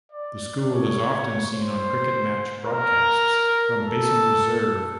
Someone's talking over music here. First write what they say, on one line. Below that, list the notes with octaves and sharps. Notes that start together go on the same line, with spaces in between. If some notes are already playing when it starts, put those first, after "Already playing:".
The school is often seen on cricket match broadcasts from Basin Reserve.
D5
C#5
C5
A#4
A4